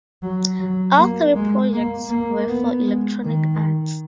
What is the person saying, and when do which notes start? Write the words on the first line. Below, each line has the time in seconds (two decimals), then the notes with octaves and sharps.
All three projects were for Electronic Arts.
0.22 F#3
0.60 F#3
0.98 A#3
1.35 G#3
1.73 A#3
2.10 A#3
2.48 B3
2.86 G#3
3.23 D#3